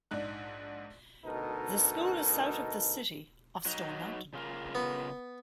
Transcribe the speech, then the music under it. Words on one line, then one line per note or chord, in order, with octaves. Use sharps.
The school is south of the city of Stone Mountain.
A#1 G#2 D4 D#4 F#6
D2 B2 D#4 A4 A#4
F#3 D#4
C#3 F4 A#4
B3